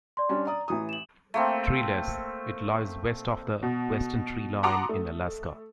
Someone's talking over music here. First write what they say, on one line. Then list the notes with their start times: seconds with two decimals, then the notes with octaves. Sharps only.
Treeless, it lies west of the western tree line in Alaska.
0.17 D5 C6
0.29 G3 C#4 D4
0.47 D5 A#5 D#6
0.68 A1 E3 D#6
0.89 E7 F#7
1.34 A3 A#3 C4
3.63 B2
4.63 F#5 A5 A#5 C6 D6 D#6
4.89 A3